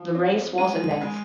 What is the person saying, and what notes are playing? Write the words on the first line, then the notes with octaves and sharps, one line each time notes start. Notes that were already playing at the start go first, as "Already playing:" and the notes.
The race was in length.
Already playing: F3
C4
G#3 D#7
G#3